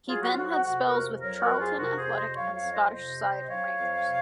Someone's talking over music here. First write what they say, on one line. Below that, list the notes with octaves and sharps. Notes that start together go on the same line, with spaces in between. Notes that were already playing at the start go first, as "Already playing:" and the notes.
He then had spells with Charlton Athletic and Scottish side Rangers.
F#3 F4 G#4
F#4
F4
F2 F#4
F#4
C3 F#4
F#4 A#4
F2
F#3 A#4 C#5
F#4 A#4
F2
F4 G#4
C3 F#4 A#4
G#4 C5
F2
C5 D#5
F#3 C#5 F5
C#5 F5
F2
C5 D#5
C3 C5 D#5
C4
F#3 C#5 F5
F2
C3